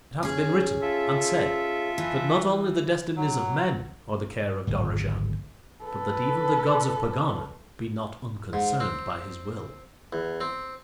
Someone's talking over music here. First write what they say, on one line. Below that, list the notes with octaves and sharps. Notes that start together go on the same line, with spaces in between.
It hath been written and said that not only the destinies of men are the care of Dorozhand but that even the gods of Pegana be not unconcerned by his will.
C#4 G#4
F4 A4 E5
E3
F#3
D1 G#1
A4 B4
G#2
C4
E2
C4